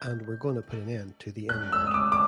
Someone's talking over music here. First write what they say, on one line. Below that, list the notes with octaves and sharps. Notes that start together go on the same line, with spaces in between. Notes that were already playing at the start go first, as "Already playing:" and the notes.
And we're gonna put an end to the n-word.
Already playing: G6
F#6
E6
D#6
D6
D6